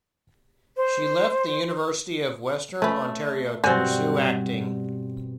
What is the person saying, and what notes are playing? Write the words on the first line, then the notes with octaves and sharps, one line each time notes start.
She left the University of Western Ontario to pursue acting.
C5
A3 C#4 B4
G2 B2 G3 C4 F#4 C5 D5 G#5